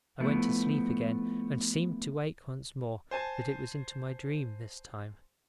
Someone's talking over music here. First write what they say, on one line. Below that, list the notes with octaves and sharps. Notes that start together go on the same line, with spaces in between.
I went to sleep again, and seemed to wake once more; but it was into my dream this time.
F3 A3 B3 E4
C5 G#5 A5